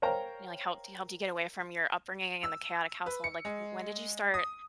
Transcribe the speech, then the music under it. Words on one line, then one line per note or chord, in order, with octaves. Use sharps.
You know, like, helped y helped you get away from your upbringing, and the chaotic household like, w when did you start
A#4 C5 C#5 F5 G5 A#5
E6
B4
C#7
G#3
D#6